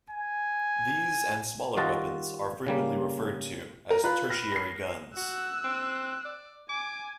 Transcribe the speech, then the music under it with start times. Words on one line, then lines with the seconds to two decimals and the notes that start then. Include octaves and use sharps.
These and smaller weapons are frequently referred to as tertiary guns.
0.11 G#5
1.77 D#3 G3 F4 F#4 D#5 A5
2.67 C#3 G3 A#3
3.91 A#4
4.04 F4 B4 F#6
4.30 F6 A#6
4.52 A#6 C7
5.17 F#4 E6 F#6
5.64 C4
6.25 D5
6.69 G#5 D6